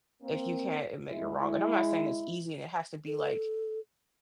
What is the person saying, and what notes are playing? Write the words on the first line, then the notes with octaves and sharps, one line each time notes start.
if you can't admit you're wrong, and I'm not saying it's easy and it has to be like,
A#3 C4
G#3 E4
A4